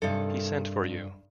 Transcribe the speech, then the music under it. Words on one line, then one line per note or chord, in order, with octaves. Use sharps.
He sent for you.
G2 C3 D#3 G4 A4 G#5